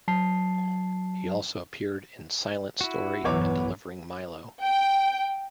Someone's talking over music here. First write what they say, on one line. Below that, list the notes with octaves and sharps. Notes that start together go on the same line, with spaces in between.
He also appeared in "Silent Story" and "Delivering Milo".
F#3 A5 C7
E4 F#4
B1 E2 G2 E3 B3 C#5 D6
G5